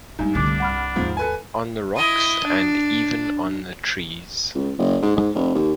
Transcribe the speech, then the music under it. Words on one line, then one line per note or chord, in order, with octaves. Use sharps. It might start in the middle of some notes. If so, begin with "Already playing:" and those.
On the rocks and even on the trees.
G2 G#3 A#3 D#4 G#5
C2 D3 G3 A3 D4 D6
F#5 B5 F6
D#2 G#2 F3
A4 B4 G#5
E4 D#5
D4
C#2
F#1
G#2
G#2
F1
D#2